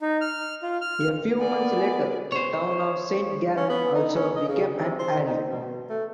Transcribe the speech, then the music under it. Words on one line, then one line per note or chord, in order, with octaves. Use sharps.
A few months later, the town of Saint Gallen also became an ally.
D#4
F6
F4
F6
B3 A#4 D5 G#5
C5 C#5
C#4
B3
D#4
C#4
D#5
C#3
C3
C5
D#4
B2
A3